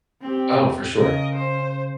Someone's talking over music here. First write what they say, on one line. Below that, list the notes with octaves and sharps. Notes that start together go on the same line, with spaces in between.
Oh, for sure.
C4 G4
C#3 C#4 A#4 D#5
C5